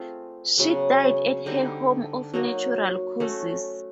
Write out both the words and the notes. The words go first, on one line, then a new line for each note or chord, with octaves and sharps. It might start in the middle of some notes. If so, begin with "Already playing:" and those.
She died at her home of natural causes.
Already playing: A3 C4 F4 G#4
C#3 F#3 B3
D3 G3 C4 D#4
F#3 A#3 D#4 F#4
A3 C#4 F#4 A4